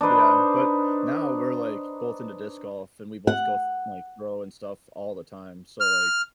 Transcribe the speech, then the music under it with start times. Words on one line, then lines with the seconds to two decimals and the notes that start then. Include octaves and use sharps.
Yeah, but now, we're, like, both into disc golf, and we both go th like, throw and stuff all the time, so, like,
0.01 D4 D#4 B4 C5
3.27 F#5
5.80 F6